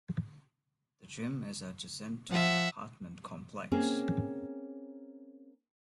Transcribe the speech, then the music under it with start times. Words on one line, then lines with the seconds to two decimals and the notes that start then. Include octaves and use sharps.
The gym is adjacent to the apartment complex.
2.30 F3 E5 F#5
3.71 A#3 C4 C#4 G#4